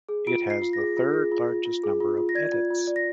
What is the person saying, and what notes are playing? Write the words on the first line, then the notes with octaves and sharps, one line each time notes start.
It has the third-largest number of edits.
G#4
F4 D7
F4
C7
F4
A#6
G#4
F4
G#4
F4
F4
F4
G#4
F4
F4
A#6
D5 G#6
F4
F4
D5
A#6